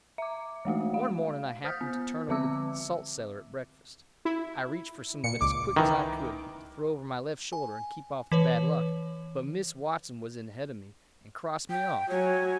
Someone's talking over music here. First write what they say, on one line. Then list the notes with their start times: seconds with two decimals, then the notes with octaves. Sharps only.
One morning I happened to turn over the salt-cellar at breakfast. I reached for some of it as quick as I could to throw over my left shoulder and keep off the bad luck, but Miss Watson was in ahead of me, and crossed me off.
0.18 E5 D6
0.65 E3 G#3 A3 F#4
0.94 F5
1.64 C5 D#6 F6 G6 B6
1.81 B3
2.29 D3 F3 C4 E5 D6 E6
4.25 E4
5.24 A#2 C#7
5.41 C#2 D6
5.76 D#3 E3
7.53 G#5
8.32 E3 B4 C#5
11.70 G5
12.09 F#3 C#5 G#5